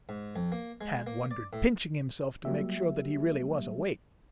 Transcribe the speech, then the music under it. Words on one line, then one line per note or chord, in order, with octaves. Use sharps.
Tad wondered, pinching himself to make sure that he really was awake.
G#2
F2
A#3
G#3
A#3
D5
A2
F#3 G3 A#3 G4 E5